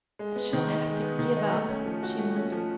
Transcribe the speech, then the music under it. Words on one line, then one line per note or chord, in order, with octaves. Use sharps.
"I shall have to give up!" she moaned.
G#3
B3
D#3
D#4
G#3
B3
D#3
D#4
A3
C#4
F3
F#4
A3
C#4
F3